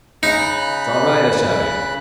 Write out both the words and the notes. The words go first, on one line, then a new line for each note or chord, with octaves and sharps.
"It's all right," I shouted.
C#3 D#4 B5 F#6